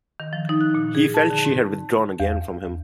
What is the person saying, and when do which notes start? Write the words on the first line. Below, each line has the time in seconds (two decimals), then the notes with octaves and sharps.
He felt she had withdrawn again from him.
0.20 D#3
0.33 F3
0.49 D#4
0.61 F#6
0.74 A#2
0.95 G#4
1.14 A5
1.30 D3
1.45 G#2
2.20 E2